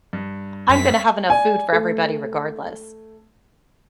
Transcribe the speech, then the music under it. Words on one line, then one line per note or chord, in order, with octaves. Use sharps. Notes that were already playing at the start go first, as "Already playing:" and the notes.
I'm gonna have enough food for everybody regardless.
G2
F#2 C4 B6
D5 G#5
A3